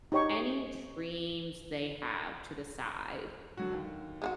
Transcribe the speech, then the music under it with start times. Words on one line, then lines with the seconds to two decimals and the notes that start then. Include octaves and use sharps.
any dreams they have to the side.
0.12 D#4 G4 C#5 G5 C#6
3.57 D3 F#3 F#4
3.73 D#2
4.22 G#3 F4 F#4